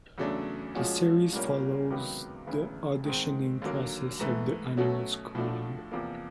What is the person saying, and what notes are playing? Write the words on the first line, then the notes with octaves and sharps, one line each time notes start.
The series follows the auditioning process of the annual squad.
E2 C#3 F#3 A3 D4
A#2 F3 G#3 C#4 F#4
C2 A#2 G3 A#3 C#4
C#2 C3 D#3 F#3 B3
E1 D2 C#3 E3
G#2 D#3 G#3 C4
D#2 D3 F#3 A#3
G#2 E3 A3
B2 F#3 A3 C#4 F#4
A2 F3 A3 D4 F#4
E2 C3 F3 A#3